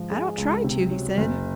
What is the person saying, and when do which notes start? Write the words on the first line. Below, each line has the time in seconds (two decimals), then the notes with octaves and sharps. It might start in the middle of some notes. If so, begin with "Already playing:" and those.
"I don't try to," he said.
Already playing: G#2 F3 G#3
0.11 G#3
0.38 C#2
0.64 C3
0.91 F#3
1.18 F#1